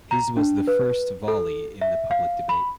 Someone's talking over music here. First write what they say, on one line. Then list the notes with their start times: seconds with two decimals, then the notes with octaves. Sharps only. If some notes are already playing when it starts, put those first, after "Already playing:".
His was the first volley in the public debate.
0.11 A#5
0.37 D4
0.67 B4
1.28 A4
1.81 E5
2.11 F5
2.49 B5